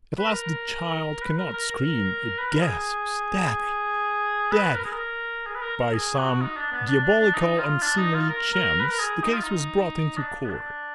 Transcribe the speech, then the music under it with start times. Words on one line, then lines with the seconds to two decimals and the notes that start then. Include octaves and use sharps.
At last the child cannot scream, it gasps, 'Daddy! daddy!' By some diabolical unseemly chance the case was brought into court.
0.18 B4
0.28 A#4
1.22 B4
1.38 A#4
1.53 A#4
1.69 A#4
2.38 B4
2.51 A#4
2.63 G#4
4.52 B4
4.75 A#4
4.85 G#4
4.93 A#4
5.46 G#4
5.56 B4
5.62 A#4
5.77 A#4
5.94 G#4
6.18 F#4
6.41 D#4
6.57 D4
6.72 B3
6.87 D4
7.03 D4
7.20 D4
7.35 D#4
7.58 F4
7.82 D4
7.97 D#4
8.14 F4
8.30 A#4
8.53 A#4
8.80 B4
8.91 A#4
9.00 G#4
9.24 D#4
9.32 F4
9.43 D#4
10.18 D4
10.44 B3
10.50 D4